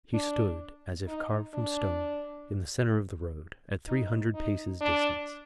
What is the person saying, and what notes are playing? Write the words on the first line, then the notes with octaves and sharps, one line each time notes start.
He stood, as if carved from stone, in the center of the road, at three hundred paces' distance.
D4
D#4
D4
D#4
D#4
D4